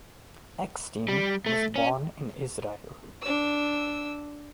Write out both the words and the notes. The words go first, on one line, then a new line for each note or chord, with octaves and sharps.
Eckstein was born in Israel.
G3
A3
C#4
D4 E6